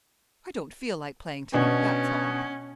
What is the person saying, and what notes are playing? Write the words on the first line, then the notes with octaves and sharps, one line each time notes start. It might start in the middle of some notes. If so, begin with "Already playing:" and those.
"I don't feel like playing to-night; that's all."
B2 C#4 D4 G#5